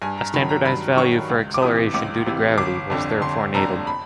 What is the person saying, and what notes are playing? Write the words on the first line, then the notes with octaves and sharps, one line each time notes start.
A standardized value for acceleration due to gravity was therefore needed.
G2 G#5
A#5
D#3 F#3 B5
A#5
G2 B5
D#3 F#3 C#6
C#2
D6
C3 E3 D#6
C#2 D6
C3 E3
G1 D6
F2 D3
G1 C6
F2 D3 A#5
B5